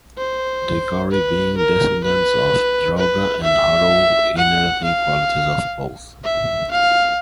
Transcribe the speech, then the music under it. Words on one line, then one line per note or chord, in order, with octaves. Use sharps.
The Gauri being descendants of Drauga and Haroun inheriting qualities of both.
C5
B4
A#4
B4
B4
E5
F#5
F5
E5
F5